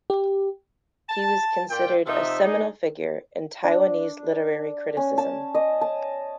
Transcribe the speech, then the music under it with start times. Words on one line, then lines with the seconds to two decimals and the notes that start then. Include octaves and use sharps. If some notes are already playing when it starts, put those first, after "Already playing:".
He was considered a seminal figure in Taiwanese literary criticism.
0.10 G4
1.09 A5
1.70 A#2 G5
2.07 C3 F3 D#4 E5
2.43 D4 D#4 G#4
3.64 D4
4.97 C#4
5.18 A5
5.55 D#5
5.81 A5